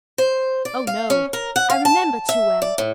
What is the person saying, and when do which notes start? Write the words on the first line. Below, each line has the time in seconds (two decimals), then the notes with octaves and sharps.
Oh, no! I remember too well.
0.18 C5
0.65 D5
0.87 F5
1.10 C#4
1.33 A#4
1.56 F#5
1.70 F5
1.85 A5
2.29 E5
2.62 D5
2.78 A2